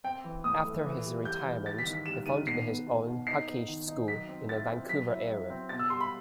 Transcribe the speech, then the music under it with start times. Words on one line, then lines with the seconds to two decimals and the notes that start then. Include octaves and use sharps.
After his retirement, he founded his own hockey school in the Vancouver area.
0.04 C4 G5
0.24 E3
0.44 A2 D#6
0.65 A3
0.84 E3
1.05 G3
1.25 G3 G6
1.45 E3
1.65 G3 A6
1.78 B6
1.86 D#3
1.93 B6
2.06 G3 E7
2.26 D#3 D#7
2.46 B2 C7
2.67 B3
2.87 B2
3.07 B2
3.27 D#4 C7
3.47 B3
3.68 D#3
3.88 D#4
4.08 F#3 B6
4.28 C4
4.49 E4 A6
4.69 C4
4.89 F#3 B6
5.10 E4
5.30 F#3
5.50 C4
5.69 B2 A6
5.79 E6
5.90 G3 C6
6.00 B5